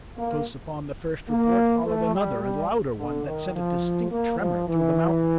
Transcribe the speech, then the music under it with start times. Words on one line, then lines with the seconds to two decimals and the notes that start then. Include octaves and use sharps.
Close upon the first report followed another and louder one, that sent a distinct tremor through the mountain.
0.17 A#3
1.30 A#3
1.86 A3
2.14 G3
2.42 G3
2.98 D3
3.27 D#3
3.55 F3
4.11 A#3
4.39 F3
4.68 E3